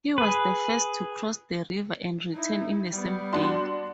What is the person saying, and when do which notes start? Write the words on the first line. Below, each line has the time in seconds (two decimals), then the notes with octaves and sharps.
He was the first to cross the river and return in the same day.
0.18 G#4 B4
2.32 D#4 E4
2.90 G3 B3
3.33 D4 F#4 C6